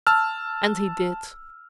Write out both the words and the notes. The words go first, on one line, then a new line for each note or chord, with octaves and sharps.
And he did.
A5 E6 F6